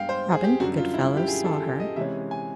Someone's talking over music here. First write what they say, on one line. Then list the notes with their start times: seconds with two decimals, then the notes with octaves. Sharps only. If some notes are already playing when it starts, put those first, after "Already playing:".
Robin Goodfelllow saw her.
Already playing: G2 G#3 B3 F5 G5
0.09 C5
0.32 G#4
0.44 G4
0.60 F#2 D3 G3 F#4
0.77 F4
0.94 E4
1.17 G4
1.28 G#4
1.45 A4
1.80 D#5
1.96 C3 E3 G#3 C#4 E5
2.31 G#5